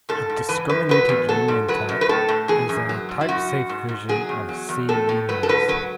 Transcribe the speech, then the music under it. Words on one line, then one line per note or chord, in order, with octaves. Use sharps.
A discriminated union type is a type-safe version of C unions.
G#2 A4
G#2
E3 B4
F#2 B4
F#3 B4
E2
F#3 A4
G#2
F#3 B4
F#2
B4
A2 A4
A2
E3 G#4
F#2
F#3
G#2
E4
F#2 F#4
F#2
G#2
G#2
F#3 G#4
E2
F#3
E2
A2 A4
A2
F#3 B4
A4
G#2 B4
F#3 B4